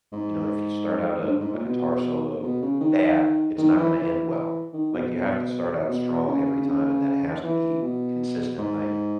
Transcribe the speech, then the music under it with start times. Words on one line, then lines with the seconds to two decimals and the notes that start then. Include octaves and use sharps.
You know, if you start out a a guitar solo bad, it's not gonna end well, like, you have to start out strong every time, and that has to be consistent, like,
0.12 G#2
1.22 G#2
1.26 G2
1.40 G#2
1.53 A#2
1.65 B2
2.43 B2
2.62 C#3
2.80 D#3
3.58 D#3
3.77 E3
3.96 E3
4.73 D#3
4.93 B2
5.88 B2
6.28 C#3
6.65 C#3
7.43 E3
7.82 B2
8.58 G#2